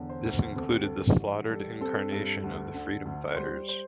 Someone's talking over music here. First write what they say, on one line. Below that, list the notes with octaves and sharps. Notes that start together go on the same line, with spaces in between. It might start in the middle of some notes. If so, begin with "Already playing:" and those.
This includes the slaughtered incarnation of the Freedom Fighters.
Already playing: E1 D3
C5
D2
C4 A4
G4
G2 A4
A1
G3 A4
C4 A4
G2 A4
D2
D3
D2
G3 C5
C5